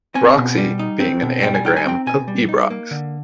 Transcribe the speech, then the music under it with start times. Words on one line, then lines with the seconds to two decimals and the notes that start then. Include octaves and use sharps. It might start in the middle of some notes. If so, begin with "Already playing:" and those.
Broxi being an anagram of Ibrox.
0.15 C4 G#5
0.37 B2
0.58 G3
0.79 D#4
1.00 C4
1.22 B2
1.42 G3 G5
1.55 G#5
1.65 D#4 G5
1.77 G#5
1.86 C4 G5
2.07 B2 G#5
2.28 G3
2.49 D#4
2.70 A#3
2.91 D3